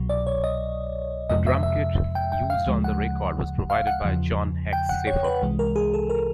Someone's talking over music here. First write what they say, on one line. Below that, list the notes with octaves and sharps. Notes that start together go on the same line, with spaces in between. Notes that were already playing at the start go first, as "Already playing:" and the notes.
The drumkit used on the record was provided by John "Hexx" Shafer.
Already playing: C2 B2 F#3
D5
C#5
D#5
F2 C3 F3 G#3 D#5
E5
E5
G5
G5
F5
D2 C#3 F3 G#3
F#5
F5
F#5
E2 C#3 F3
G5
F#5
C#5
B4
C2 C3 E3 G#3
A#4
G#4
A4
A#4